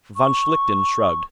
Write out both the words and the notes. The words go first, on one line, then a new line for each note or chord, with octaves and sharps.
Von Schlichten shrugged.
C#6